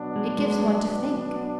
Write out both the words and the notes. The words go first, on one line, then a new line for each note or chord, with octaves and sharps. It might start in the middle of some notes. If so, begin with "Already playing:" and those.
It gives one to think.
Already playing: B2 F#3 B3 D4
G#3
G#3